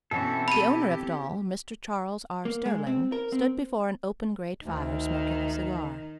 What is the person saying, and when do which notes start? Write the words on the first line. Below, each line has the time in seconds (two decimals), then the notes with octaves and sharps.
The owner of it all, Mr. Charles R. Sterling, stood before an open grate fire smoking a cigar.
0.11 B2 E3 C4 C#4 E4 A4
0.48 G4 B5 D#7
2.45 A#3
2.66 G#3
2.87 C4
3.12 A#4
3.32 C4
4.66 D2 D#3